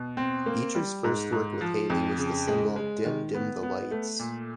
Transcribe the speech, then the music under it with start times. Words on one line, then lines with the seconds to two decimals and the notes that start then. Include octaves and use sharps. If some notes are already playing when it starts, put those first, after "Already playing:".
Beecher's first work with Haley was the single "Dim, Dim the Lights".
Already playing: B2
0.17 C4
0.46 A#3
0.75 G3
1.04 G#2
1.32 G#2
1.61 F3
1.90 F2
2.18 C#3
2.47 G#3
2.76 G#3
3.05 D#3
3.34 B3
3.63 B3
3.91 A3
4.19 A#2